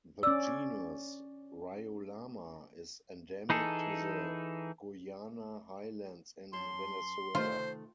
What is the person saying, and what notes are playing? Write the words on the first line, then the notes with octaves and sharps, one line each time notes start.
The genus "Riolama" is endemic to the Guiana Highlands in Venezuela.
C#4 D5 E6
E3 D#4 G#4 A4
F#2 A5 C6
C3 D#3 A3 F4 C5